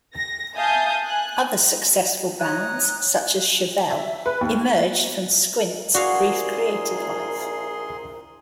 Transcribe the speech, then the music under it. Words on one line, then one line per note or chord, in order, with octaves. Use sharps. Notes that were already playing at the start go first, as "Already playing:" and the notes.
Other successful bands, such as Chevelle, emerged from Squint's brief creative life.
A#6
E5 F5 G#5 A5 D#6 G6
G#5 F#6
C#5 A#5 D#6 F#6
E5
B4
D#2
A#1 E4 F#4 G#4 A#4 D5 F5 C6